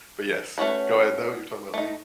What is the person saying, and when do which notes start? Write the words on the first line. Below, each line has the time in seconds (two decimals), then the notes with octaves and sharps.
but yes, go ahead, though. You're talking about League.
0.58 A3 C#4 F#4 B4
1.74 A3 D#4